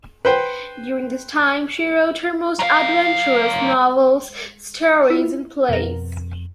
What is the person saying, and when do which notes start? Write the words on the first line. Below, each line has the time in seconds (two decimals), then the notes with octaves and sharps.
During this time she wrote her most adventurous novels, stories and plays.
0.25 B4 C5 G5
2.59 F#3 F5
5.10 E4 F4
5.69 F2 B2 A#4